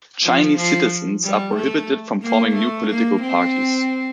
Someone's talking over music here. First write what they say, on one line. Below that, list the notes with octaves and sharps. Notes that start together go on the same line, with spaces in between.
Chinese citizens are prohibited from forming new political parties.
F3
F3
G3
A3
A#3
A3
A#3
C4